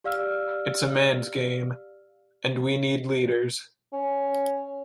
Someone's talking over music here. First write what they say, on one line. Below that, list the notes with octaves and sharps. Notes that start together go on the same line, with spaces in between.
It's a man's game — and we need leaders.
G4 D5 F5 E6 F6
C#4